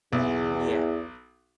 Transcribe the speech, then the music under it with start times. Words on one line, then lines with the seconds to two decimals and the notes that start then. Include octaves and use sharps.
Mhm, yeah.
0.13 B1 E2